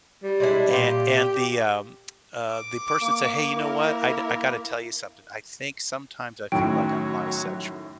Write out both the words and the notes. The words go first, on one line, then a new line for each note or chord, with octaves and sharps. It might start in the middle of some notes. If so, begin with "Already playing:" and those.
an and the, um uh, the person said, "Hey, you know what? I do I gotta tell you something. I think sometimes I feel like I'm bisexual,"
G3
G#3 D4 E4
A#2 G4
D6
A#3
E4 A#4
F#2 A2 D#3 F#3 G5